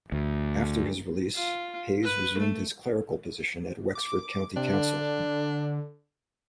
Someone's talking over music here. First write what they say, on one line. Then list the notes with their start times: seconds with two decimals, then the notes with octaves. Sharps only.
After his release, Hayes resumed his clerical position at Wexford County Council.
0.12 D2
1.36 F4
2.04 B4
2.38 A3
3.95 D6
4.56 C3 D4
4.73 D3